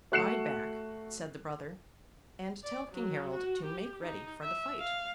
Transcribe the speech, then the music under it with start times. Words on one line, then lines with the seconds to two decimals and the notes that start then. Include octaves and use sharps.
'Ride back!' said the brother, 'and tell King Harold to make ready for the fight!'
0.12 A3 F#4 F#6 C7 C#7 E7
2.63 D5
2.92 F#3
3.34 F#4
3.65 G4
4.02 D#4
4.43 E5
4.80 F5